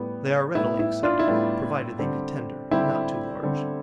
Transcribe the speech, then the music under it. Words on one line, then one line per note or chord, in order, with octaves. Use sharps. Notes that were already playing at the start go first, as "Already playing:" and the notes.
They are readily accepted, provided they be tender and not too large.
Already playing: A2 G3 B3
A2 G3 B3 E4
E4
D4 F4
E4
A2 G3 B3 D4
D3 G3 C4
D3 G3 C4 E4
D3 G3 C4